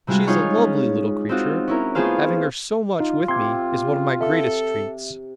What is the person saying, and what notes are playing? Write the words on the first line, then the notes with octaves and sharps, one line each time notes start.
She is a lovely little creature: having her so much with me is one of my greatest treats.
C3 G3 G#3 F4 F#4
D#4 F4 G#4 C#5
C#4
C4 D#4 F4 F#4
C#4 E4 A#4
A3 B3 F4 G#4 C5 F5
D#4 F4
C3 C6 G#6
A4 E5